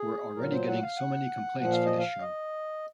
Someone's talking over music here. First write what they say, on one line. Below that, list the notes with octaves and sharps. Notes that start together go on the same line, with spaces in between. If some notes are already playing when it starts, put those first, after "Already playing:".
We're already getting so many complaints for this show!
Already playing: G#4
A#2 F#3 A#4
C5
F#5
F5
F#5
A#2 F3 F#5
F5
D#5
F5
D#5